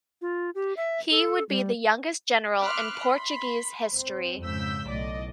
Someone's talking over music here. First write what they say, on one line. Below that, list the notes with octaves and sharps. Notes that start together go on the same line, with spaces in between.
He would be the youngest general in Portuguese history.
F4
G4
E5
A4
G3
E5 B5 C6 D6 F6 F#6
B5 C6
C4
F2 G#2 C#3 E6 G6 B6
B1 A2 D5 D#5